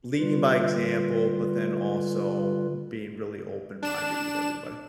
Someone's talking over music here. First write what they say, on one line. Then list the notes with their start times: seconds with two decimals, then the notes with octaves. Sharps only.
leading by example, but then also being really open-minded with everybody.
0.19 D3 G3 F4 B4
3.82 D4 E7